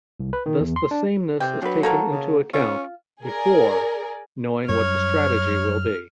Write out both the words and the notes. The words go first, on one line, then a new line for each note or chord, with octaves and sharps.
Thus the sameness is taken into account "before" knowing what the strategy will be.
C2
B4
D#3
E2
C6
D4
C3 G5
F#3 D4 B4
A#3 F#4 A4 A#4
C#3
C#4 F4
G#4 A#4 D5
F#2 G3 C#5 F6